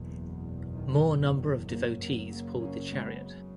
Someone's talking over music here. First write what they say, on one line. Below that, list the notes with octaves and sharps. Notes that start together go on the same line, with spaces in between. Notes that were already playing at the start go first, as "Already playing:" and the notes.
More number of devotees pulled the chariot.
Already playing: F#1 E2 B2
D#3
D#3 F#3
F#3 A#3
F#1 F#2 C#3 F#3 A#3
F#3 A#3
A#3 C#4
G#3 B3